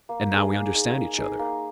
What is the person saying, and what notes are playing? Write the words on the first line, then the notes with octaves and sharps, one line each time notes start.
"And now we understand each other."
A#3
D#4 G#4
A#3
D#4 G#4
A#3
D#4 G#4
A#3